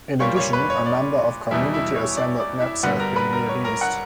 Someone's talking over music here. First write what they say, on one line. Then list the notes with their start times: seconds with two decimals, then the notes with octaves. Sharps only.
In addition, a number of community assembled maps have been released.
0.20 A#2 G3 A#3 C#5 C#6
0.36 C#5 C#6
0.53 B4 B5
0.70 C#5
0.86 D5
1.51 E2 B2 G3 E4 E5
1.74 E4 E5
1.96 C#5
2.17 D5
2.40 D5
2.60 E4 E5
2.83 G2 D3 G3 B3 F#4 F#5
3.00 A#4 A#5
3.16 B4 B5
3.33 A#4 A#5
3.49 C#5
3.65 A#4 A#5
3.81 F#5 F#6